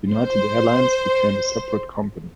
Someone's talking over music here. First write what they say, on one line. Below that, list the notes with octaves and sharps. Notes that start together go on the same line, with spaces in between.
United Airlines became a separate company.
C5